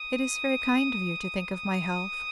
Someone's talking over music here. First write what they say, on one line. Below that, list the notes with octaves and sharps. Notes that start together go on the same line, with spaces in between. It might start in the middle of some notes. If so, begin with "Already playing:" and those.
It is very kind of you to think of my health.
Already playing: D#6
D#6